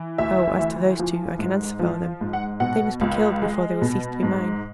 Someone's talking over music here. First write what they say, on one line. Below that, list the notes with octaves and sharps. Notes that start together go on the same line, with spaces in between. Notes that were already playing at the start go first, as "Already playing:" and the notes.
"Oh, as to those two, I can answer for them; they must be killed before they will cease to be mine."
Already playing: E3
D2 E5
E3
F3
G#2
F3
G#2
F#5
B2 F#5
C#2
G#3
B2
G#2